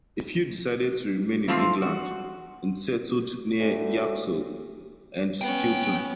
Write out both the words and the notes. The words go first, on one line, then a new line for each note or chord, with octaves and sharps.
A few decided to remain in England and settled near Yaxley and Stilton.
E3 F3 A3 C4 F4
F#4
D2
B3 C#4 G5